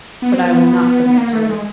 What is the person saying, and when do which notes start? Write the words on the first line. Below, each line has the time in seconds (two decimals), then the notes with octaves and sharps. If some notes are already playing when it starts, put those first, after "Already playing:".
But I will not submit to it.
0.22 B3
0.33 C4
0.42 B3
1.05 B3
1.17 A#3
1.33 A3
1.49 G#3